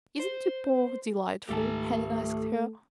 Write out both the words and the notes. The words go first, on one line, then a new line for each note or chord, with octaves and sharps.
"Isn't Duport delightful?" Helene asked her.
C5
C#2 G#2 D#3 A3 G4 A4 A5